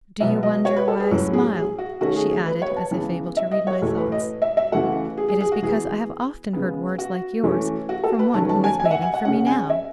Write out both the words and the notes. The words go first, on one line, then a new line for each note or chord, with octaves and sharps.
"Do you wonder why I smile?" she added, as if able to read my thoughts. "It is because I have often heard words like yours from one who is waiting for me now."
B2 F#3 B3 E5
D#5
C#5
B4
A4
G#4
A2 F#3 C#4
G#4
G#4
F#4
D#3 A3 C#4 F#4
G#4
G#4
B4
C#5
A5
C#3 E3 G#3 B3
E5
D#5
C#5
A2 E3 A3
B4
D#5
E5
E5
C#3 E3 A3 F#5
G#4
G#4
G#4
F#4
E3 B3 G#4
C#3 G#3 B3
F#4
E3 A3 C#4
F#4
A4
B4
D#3 F#3 A3 C#4 A5
A5
G#5
G#5
E5
F#5
G#5
F#5
C#3 G#3 C#4 F#5
G#5
E5